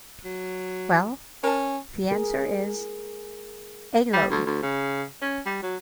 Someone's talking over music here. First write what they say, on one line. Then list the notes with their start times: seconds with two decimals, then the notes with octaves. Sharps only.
Well, the answers is... A lo.
0.25 F#3
1.44 C#4 A#4 A5
2.11 G#4 A#4
4.13 G3
4.30 D2
4.46 D2
4.63 C#3
5.22 C#4
5.46 G3
5.62 F#3